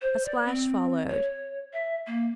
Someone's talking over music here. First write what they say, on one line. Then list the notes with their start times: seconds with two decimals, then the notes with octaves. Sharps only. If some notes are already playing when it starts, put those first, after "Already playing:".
A splash followed.
0.02 C5
0.25 D5
0.45 C4
1.09 C#5
1.73 E5
2.07 A#3